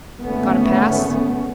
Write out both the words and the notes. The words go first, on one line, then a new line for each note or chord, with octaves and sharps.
"Got a pass?"
G#1 D2 A3 B3 C#4